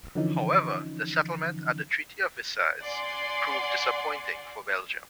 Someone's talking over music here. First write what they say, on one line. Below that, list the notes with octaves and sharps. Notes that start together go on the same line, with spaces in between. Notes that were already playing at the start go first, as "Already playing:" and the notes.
However, the settlement at the Treaty of Versailles proved disappointing for Belgium.
D3 E3 F3 C#4 D#4
D5 F#5 G#5 C6